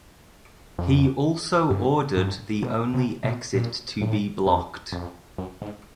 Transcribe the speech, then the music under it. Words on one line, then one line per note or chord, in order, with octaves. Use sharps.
He also ordered the only exit to be blocked.
F2
G2
G2
B2
C3
B2
A#2
A2
F2
F2
F#2
G#2